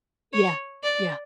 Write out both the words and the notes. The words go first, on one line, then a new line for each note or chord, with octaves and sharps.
Yeah, yeah.
C#5
D5